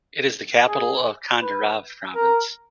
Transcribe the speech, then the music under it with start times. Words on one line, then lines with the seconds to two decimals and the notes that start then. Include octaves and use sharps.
It is the capital of Candarave Province.
0.68 G#4
1.41 B4
2.15 A#4